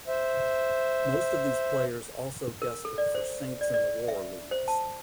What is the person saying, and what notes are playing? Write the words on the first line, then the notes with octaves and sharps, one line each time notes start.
Most of these players also guested for Saints in the War leagues.
C5 E5
A#4
A4
D5
C5
D5
D5
E5
C5
A5